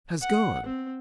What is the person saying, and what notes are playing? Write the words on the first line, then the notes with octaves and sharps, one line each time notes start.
"Has gone."
F#5
C4